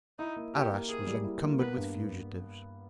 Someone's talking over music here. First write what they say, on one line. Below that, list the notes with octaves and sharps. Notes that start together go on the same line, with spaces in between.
Arras was encumbered with fugitives.
D#4 E4
A#3
G4 A#4
A#3
G#4 A#4
G3
E4
A#3
B3 B4
G2